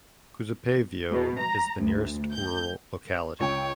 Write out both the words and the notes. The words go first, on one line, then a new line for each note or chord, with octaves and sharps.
Kusepeyevo is the nearest rural locality.
B2
A#5
D2
G6
C#2 C#5 G5